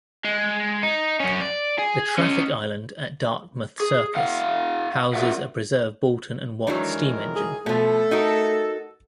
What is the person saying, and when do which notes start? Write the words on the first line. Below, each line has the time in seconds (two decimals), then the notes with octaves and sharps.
The traffic island at Dartmouth Circus houses a preserved Boulton and Watt steam engine.
0.25 G#3
0.83 D#4
1.20 F#2 C#4
1.41 D5
1.79 G#4
2.19 C#4 D#5
3.80 G#4
4.15 E4 F5 F#5
5.13 F4 F#4 A#4 D5 E5 F#5
6.67 F2 D#3 E3 F#3 G#3 D4 A#4
7.36 G#4
7.66 B2 F3 A3 A4
8.11 D#4 F#4 A#4